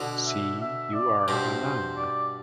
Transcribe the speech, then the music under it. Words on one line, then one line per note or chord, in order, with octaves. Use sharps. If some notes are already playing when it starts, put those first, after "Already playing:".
See, you are a nun.
Already playing: B2 D3
E5
E5
D5
G2 B2 C5
D5